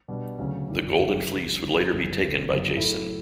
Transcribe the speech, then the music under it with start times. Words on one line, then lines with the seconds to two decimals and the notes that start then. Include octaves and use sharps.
The Golden Fleece would later be taken by Jason.
0.08 B2 G3 D4
0.38 D2 C#3 F#3 C#4
0.68 G1 F#2 E3 G3 D4
0.98 F#1 F#2 E3 A3 C#4
1.28 C#2 C#3 F#3
1.57 G1 G2 D3
1.88 G1 F#2 C#3 E3 G3
2.18 E1 D2 D3 A3 C#4
2.48 G1 F#2 C#3 G3
2.77 A2 F#3 A3 E4 A4